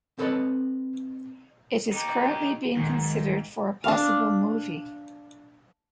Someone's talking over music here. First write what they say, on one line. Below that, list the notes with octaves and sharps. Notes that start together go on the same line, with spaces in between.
It is currently being considered for a possible movie.
C4 A4 B4 C#5 D#5 A5
D#4 G4
B1 G#2 D#3
D4 F5